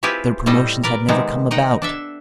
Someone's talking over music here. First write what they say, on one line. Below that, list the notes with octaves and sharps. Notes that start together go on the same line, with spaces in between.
Their promotions had never come about.
C4 E4 F4 G4 G#4 B4
A2 G3 C4 A4 D#5
A#4 B4 D5
C3 D#3 G#3 B3 C4
D#4 D#5 F#5 G5
D4 A4 E5